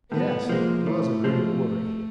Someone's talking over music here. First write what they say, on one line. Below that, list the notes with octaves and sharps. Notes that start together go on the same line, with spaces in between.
Yes, it was a great worry.
A2 B3
F3 G#3 A#3
A2 A3
F3 G#3